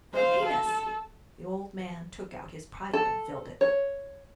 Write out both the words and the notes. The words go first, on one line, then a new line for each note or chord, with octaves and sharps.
"From Venus." The old man took out his pipe and filled it.
C5 F5
A4
A4
C#5